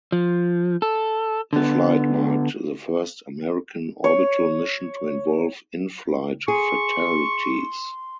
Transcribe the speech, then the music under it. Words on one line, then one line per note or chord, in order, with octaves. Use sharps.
The flight marked the first American orbital mission to involve in-flight fatalities.
F3
A4
D3 B3
C#5
G#4 C6 C#6